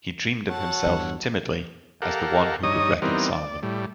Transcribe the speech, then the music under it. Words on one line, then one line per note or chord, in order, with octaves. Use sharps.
He dreamed of himself, timidly, as the one who could reconcile them.
F#4 A4 C#5 F#5 A5
E2 G2
G4 A4 A#4 F5 F#5
G2 D#4 C#5 D#5 D#6
E3 G3 B3 C4 D#4 A#4
D5
A2 G3